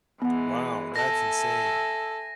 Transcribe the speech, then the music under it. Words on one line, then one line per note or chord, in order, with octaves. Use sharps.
Wow, that's insane.
E3 G#3 B3 F#5
A4 E5 G#5 A#6